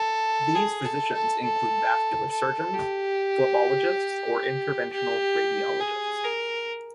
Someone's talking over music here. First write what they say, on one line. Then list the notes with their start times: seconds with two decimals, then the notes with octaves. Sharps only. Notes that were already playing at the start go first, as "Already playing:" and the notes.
These physicians include vascular surgeons, phlebologists or interventional radiologists.
Already playing: A4
0.55 G#4
0.85 A4
1.14 A4
1.43 A4
2.31 A4
2.74 G4
4.93 G4
5.80 G#4
6.24 A#4